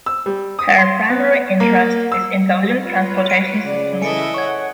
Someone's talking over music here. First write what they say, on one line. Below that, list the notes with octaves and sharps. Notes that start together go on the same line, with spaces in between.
Her primary interest is intelligent transportation systems.
E6
G3
D#6
C6
B3
A#3
E6
F4 B4 C#5
D7 D#7
C#3 D5
E3 A4 D#5 E5 G#5 C#7 D7
C#5 F#5 C#6 G#6